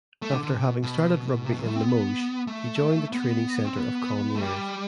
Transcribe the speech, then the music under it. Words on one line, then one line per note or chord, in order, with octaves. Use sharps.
After having started rugby in Limoges he joined the training center of Colomiers.
A3
D3
D3
C3
B2
B2
C3
B2
C3
A3
C4
B3
A3
B3
C4
B3
A3
G3